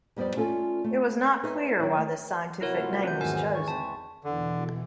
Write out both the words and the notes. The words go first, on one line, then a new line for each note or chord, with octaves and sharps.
It was not clear why this scientific name was chosen.
F2 G3 B3 C5 D5
A3 C#4 F4 A4 D5 G#5
A3
D#4 B4 C#5 D#5 E5
F#3 E4
A3
C3 F#3 B3 E4 A#4 C#5
A3 F4
C#4 G6
G#1 E2 A#4 G#5
C#6 A6
C4 A5 B5 C#6
E2 B2 D3 E3